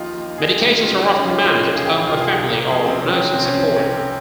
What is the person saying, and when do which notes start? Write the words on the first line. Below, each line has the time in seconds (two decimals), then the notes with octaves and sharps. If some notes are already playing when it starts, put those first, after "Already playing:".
Medications are often managed at home by family or nursing support.
Already playing: D#2 F3 D#4 F4 G4
0.17 D#2
0.38 G#4
0.49 D#2
0.59 G4
0.81 C#3 F4
0.96 D#4
1.12 C#3 C#4
1.27 F4
1.43 F3 F4
1.65 G4
1.75 C#3 G#4
1.86 G4
2.07 C2 F4
2.21 G#4
2.28 G4
2.39 C2
2.49 G4
2.70 F3 G#4
2.86 C4
3.02 F3 C#4
3.34 C2 C4
3.45 C#4
3.54 C4
3.65 C3
3.76 C#4
3.97 C4